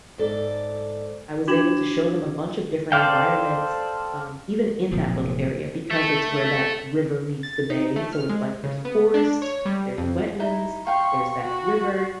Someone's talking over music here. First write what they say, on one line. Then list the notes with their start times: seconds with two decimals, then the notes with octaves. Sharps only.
I was able to show them a bunch of different environments, um, even in that little area because it's where that river meets the bay. So, it's like, there's forests, there's wetlands, there's that river
0.18 G#2 A4 D5
1.47 D4 F#4 D6 G#6 E7 F#7
2.92 A4 C5 D5 F5 G5
4.91 F1 A#2 F3 F#3
5.90 A4 E5
7.43 A6
7.70 D#4
7.96 A3
8.13 F6
8.29 G#3
8.64 C#3
8.85 B3
9.14 D4
9.42 C#5
9.65 G3
9.98 F2
10.40 D#4 E4
10.87 F5 G5 C6 C#6
11.40 F#4